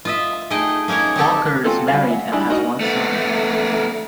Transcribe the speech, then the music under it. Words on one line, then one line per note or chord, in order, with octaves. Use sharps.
Walker is married and has one son.
F4 D#5 E5
A3 D#4 G#4 D#5 G5
A#3 C#4 D#4 A#4 C#5
C4 D#4 G4 A4
C4 C#4 F4 F#4 A4
G3 C#4 F#4 F5
F#3 E5
G3 G#3 D4 E4
D#4 F#4 A#4 D#5
A3 B3